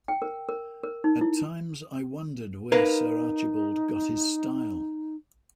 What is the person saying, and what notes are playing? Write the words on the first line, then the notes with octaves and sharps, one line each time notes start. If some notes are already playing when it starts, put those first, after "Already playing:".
At times I wondered where Sir Archibald got his style.
G5
A#4
A#4
A#4
D#4
E4
D#4 A#4 B4 F5